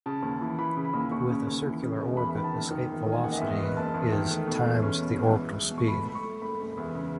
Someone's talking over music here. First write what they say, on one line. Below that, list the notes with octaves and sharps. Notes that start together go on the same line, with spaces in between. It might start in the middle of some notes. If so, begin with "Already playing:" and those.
With a circular orbit, escape velocity is times the orbital speed.
C#3 A5
D#2
E3
E3 B5
C#3
B5
D#2
D#2 C#6
C#3
D#2
E3
C#3
E1
E2 B5
D#3 B5
A5
F#1
D#3
E2
D#3
G#5
F#1 F#5
D#5
E2 E5
D#5
F#1 B4
F#1 A5
E2
D#3
A3
B2
E2
C#4
B2
E2
E2
E2
B2
C#6
A3 B5
A3 B5
C#6
A3
F#1 B5
F#1
E2
C#3